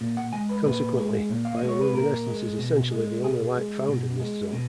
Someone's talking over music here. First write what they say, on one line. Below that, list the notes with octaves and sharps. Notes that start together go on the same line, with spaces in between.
Consequently, bioluminescence is essentially the only light found in this zone.
A#2
F#5
G#3 G#5
B4
A#2 B4
G#3
A#2
F5
D#5
G#3
C#5
B4
A#2 A#4
G#3
B2
G#3
B2 G#4
G#3
B2
G#3
B2